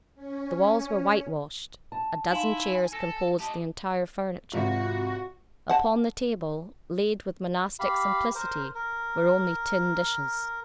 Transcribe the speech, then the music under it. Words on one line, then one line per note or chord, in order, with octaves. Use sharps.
The walls were whitewashed; a dozen chairs composed the entire furniture; upon the table, laid with monastic simplicity, were only tin dishes.
C#4
A5
D#4 E4 F5 G#5 C6
A4 A#6
G4 D#5 A5
G#1 C3 F4 F#4
F#5 A5
G4 F5 B5
A#4 C5
A#4